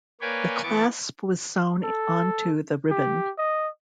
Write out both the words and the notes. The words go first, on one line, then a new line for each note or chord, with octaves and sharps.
The clasp was sewn onto the ribbon.
A#3 B4 C#5 D5 G5 G#5
E3 B3 C#6 D6 A6
A4
G4
D#5